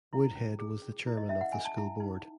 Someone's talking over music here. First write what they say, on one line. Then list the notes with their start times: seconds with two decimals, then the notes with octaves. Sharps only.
Woodhead was the chairman of the school board.
0.13 E4
0.35 C#4
0.59 G#4
0.82 C#4
1.06 E4
1.17 D#5
1.29 C#4 E5
1.41 F#5
1.53 C#4 G#5
1.65 A5
1.77 E4
2.00 D#4